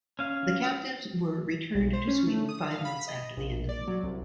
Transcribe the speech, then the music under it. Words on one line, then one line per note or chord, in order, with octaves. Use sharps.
The captives were returned to Sweden five months after the end of the war.
C#4 F5
B1
C5
C#4
A3
D#6
F5
B5
D#5
A#1
D5
F#3
C2